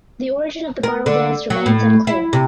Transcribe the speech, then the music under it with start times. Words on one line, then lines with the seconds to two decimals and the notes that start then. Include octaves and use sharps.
The origin of the bottle dance remains unclear.
0.83 A#4
1.06 D3
1.50 F#3
1.66 A2
2.07 E4
2.33 C3